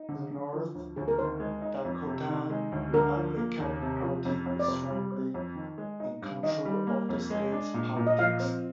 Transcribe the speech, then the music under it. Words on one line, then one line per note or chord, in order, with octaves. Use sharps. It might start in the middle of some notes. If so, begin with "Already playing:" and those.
The North Dakota Republican Party is strongly in control of the state's politics.
Already playing: D#4
D3
D3
F3
D2
D2 G#4
A#4
D#3 C5
G#3
D#4
F2
C3
D#3
G#3
D2
D3 A#4
F3
A#3
D#2
C3
F3
F2
F2
D5
C3 C5
G3
C4
F2
D#3
G#3
D#4
G2
D#3 D#5
G3
A#3
F2
G#3
D4
A#2
A#2
D#5
F3 F5
C4